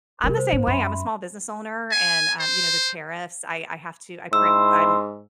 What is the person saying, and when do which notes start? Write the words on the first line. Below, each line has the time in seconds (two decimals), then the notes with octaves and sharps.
I'm the same way. I'm a small business owner and, um, you know, the tariffs. I I have to I print I'm
0.24 C3 G3 A#4
0.37 C5
0.53 G#2
0.67 F#2 F#3 E5 B5 C6
1.92 G#5
2.39 C5
4.33 G#2 E4 C6 E6